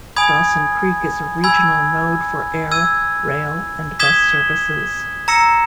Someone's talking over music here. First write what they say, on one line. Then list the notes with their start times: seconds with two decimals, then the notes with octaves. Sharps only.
Dawson Creek is a regional node for air, rail, and bus services.
0.16 G#5 B5 D#6 G#6
1.44 G#5 B5 E6 G#6
2.72 E6 G#6 D#7
3.99 D#6 G#6 B6 E7 G7
5.28 A#5 E6 A#6 C#7 E7